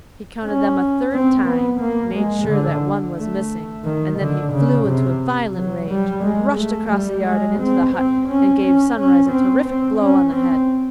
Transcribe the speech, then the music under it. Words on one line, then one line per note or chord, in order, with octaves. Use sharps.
He counted them a third time, made sure that one was missing, and then he flew into a violent rage, rushed across the yard and into the hut, and gave Sunrise a terrific blow on the head.
C#4
C4
B3
A#3
G#3
D3
A3
D#3
D3
C#3
C3
F#3
G3
G#3
A3
G3
G#3
C4
C4
C#4
C#4
C#4
C4
C4
C#4
C4